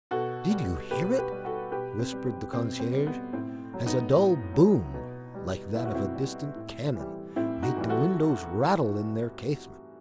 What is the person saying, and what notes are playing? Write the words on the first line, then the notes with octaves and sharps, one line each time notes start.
"Did you hear it?" whispered the concierge, as a dull boom, like that of a distant cannon, made the windows rattle in their casements.
B2 F#4 A4
G3
B2 G4 B4
G4 B4
G3
F#4 A4
B2 G4 B4
C4
G3
C4
B2 C4
C4
G3
B3
A2 C4
F#3
B3 D#4
A2
F#3
B2
G3
B2 E4
F#4
C4 E4
G3
A2
E3 G3
A2 C4 E4
D#4 F#4
E3 G3
F#4 A4